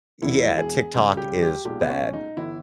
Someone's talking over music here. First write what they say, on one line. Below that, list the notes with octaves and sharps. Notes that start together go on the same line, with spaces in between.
Yeah, TikTok is bad.
E1 E2 B2 G#3 E4
G#4
C#2 C#3 G3
G4
G4
B1 A#2 G#3 G4
B3
C#4
D#4
G1 E3 E4